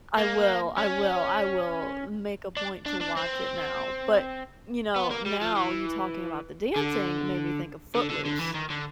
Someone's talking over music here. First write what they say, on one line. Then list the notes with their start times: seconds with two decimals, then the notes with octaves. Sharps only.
I will I will I will make a point to watch it now, but, you know, now you talking about the dancing made me think of "Footloose"
0.17 A#3
0.78 C#4
2.57 D4
2.86 D4
3.01 D4
3.17 C4
4.96 B3
5.11 A#3
5.26 G3
5.42 F3
5.56 E3
6.76 D3
7.96 D3
8.10 D3
8.26 D3
8.39 E3
8.55 D#3
8.71 D3